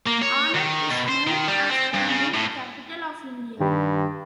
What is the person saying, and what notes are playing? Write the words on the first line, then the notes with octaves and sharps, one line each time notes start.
Anand is known as the Milk Capital of India.
A#3
C#5
D#3
B2
C5
D#3
G3
C4
G2
C#3
A2
G2 D#3 G4 B5